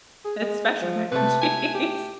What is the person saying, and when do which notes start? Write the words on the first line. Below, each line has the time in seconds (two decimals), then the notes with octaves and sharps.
It's special mac and cheese.
0.25 G#4
0.41 G#3
0.82 F3
1.12 C3 A3 B4
1.41 G#5
1.75 G4